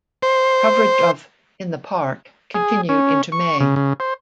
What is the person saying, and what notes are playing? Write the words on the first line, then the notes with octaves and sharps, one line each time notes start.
Coverage of "In the Park" continued into May.
C5
G#4
C#4
C#6
C#3
C#3
C5